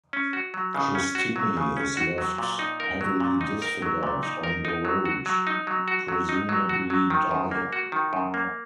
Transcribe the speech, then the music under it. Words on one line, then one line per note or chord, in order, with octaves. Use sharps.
Christini is left heavily disfigured on the road, presumably dying.
C#4
F#4
F#3
C#3
C#4
F#4
F#3
C#3
C#4
F#4
F#3
A#2
D#4
A#4
F#3
A#2
D#4
A#4
F#3
A#2
D#4
A#4
D#4
F#3
F#4
F#3
D#4
F#3
F#4
F#3
D#4
F#3
F#4
F#3
D#3
F#2
A#3
F#4
D#3
F#2
A#3